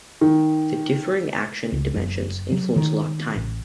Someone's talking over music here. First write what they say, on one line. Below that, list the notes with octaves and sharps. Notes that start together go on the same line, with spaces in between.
The differing action dimensions influence lock time.
D#3
C#2
F#1
F#3
D#3
A1